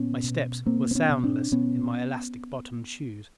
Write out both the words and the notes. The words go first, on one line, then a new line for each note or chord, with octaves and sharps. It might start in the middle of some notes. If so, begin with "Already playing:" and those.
My steps were soundless in my elastic-bottomed shoes.
Already playing: A#2 B3 C#4
B2
B2 A#3 C4
C4
B3 C#4
B2
C4 D4
B2 B3 C#4